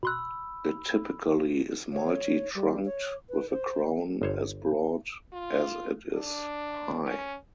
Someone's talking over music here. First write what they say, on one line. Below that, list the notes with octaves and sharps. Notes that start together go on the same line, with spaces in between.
It typically is multi-trunked, with a crown as broad as it is high.
B2 B5 C6 E6 F#6
C#5
G3
C#5
B4
C5
G1 C5 C#5
F4
D4
C#4